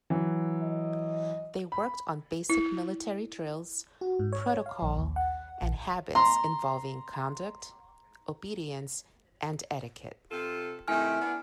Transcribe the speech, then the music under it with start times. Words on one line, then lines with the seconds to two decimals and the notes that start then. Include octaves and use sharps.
They worked on basic military drills, protocol, and habits involving conduct, obedience and etiquette.
0.10 E3 F#3
0.62 D#5
1.72 B5
2.50 E4
4.01 F#4
4.19 G#2
4.33 C#5
4.66 F5
4.82 A#1
4.97 D#2
5.16 F#5
5.62 A#1
6.15 A#5 C6
10.30 C3 F4 A4
10.88 C3 D#3 A3 E4 G#5 F6
11.19 B3 D4